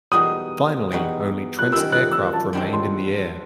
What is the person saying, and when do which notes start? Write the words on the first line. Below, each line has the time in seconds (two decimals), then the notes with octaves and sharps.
Finally only Trent's aircraft remained in the air.
0.12 E2 B2 G3 D#4 F#4 D#6
0.92 E2 B2 G3 D#4 F#4
1.59 F#6
1.72 F#2 D#3 G3 C4 E6
1.92 F#6
2.12 E6
2.33 A5
2.53 F#2 D#3 G3 C4
2.73 C6